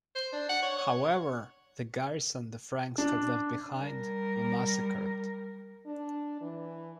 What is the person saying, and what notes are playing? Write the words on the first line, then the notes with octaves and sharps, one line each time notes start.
However, the garrison the Franks had left behind were massacred.
C5
D4
F#5
C#5
C#5
D4
G3 A#4
D4
E3